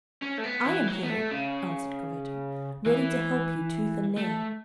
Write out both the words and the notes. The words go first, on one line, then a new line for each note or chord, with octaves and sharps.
"I am here," answered Corvetto, "ready to help you tooth and nail."
C#4
A3
B3
E3
F#3
B3
A3
C#3
E3
A3